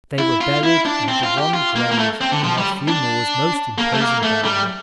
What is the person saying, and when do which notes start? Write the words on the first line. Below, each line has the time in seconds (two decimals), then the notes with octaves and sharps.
They were buried in the one grave and their funeral was most imposing, Diana.
0.19 E4
0.41 F4
0.63 E4
0.85 D4
1.08 C4
1.23 F4
1.38 G4
1.54 F4
1.76 A#3
1.91 A#3
1.98 A3
2.21 C4
2.32 D3
2.43 F3
2.58 G3
2.88 D4
3.78 A#3
3.93 A3
4.00 A#3
4.23 A3
4.45 G3